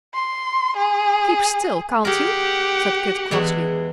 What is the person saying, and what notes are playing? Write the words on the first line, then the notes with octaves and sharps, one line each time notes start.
"Keep still, can't you?" said Kit crossly.
C6
G#4
G4 G#4 A#4 F#5
E2 E3 G#3